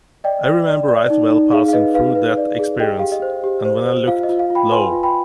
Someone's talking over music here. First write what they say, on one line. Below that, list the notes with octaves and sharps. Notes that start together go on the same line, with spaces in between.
I remember right well passing through that experience; and when I looked, lo!
D5 D#5 G5
D5
D5
D5
D#4
D#4
G#4 F5
F5
B4 D#5
B4 F5
B4
D5
G#4
G4 D#5 G5
G4 F5
D#5
C5
G4
C5
C5
F4 F5
D#5
F4
F5
F4
G5 B5
B4 G#5 C6
F4
G5 B5